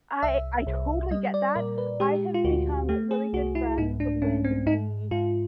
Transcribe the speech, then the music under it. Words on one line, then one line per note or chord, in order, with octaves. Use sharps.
I I totally get that, I have become really good friends with the
C2 E5
C2
G3 D#5
D5
A#2 A#4
B4
G#3 G4
F4
D2 F#4
A3 G4
G#4
C2 F#4
E4
G#2 D#4
D4
G#2 C#4
C4
G#2 D#4
G#2 F4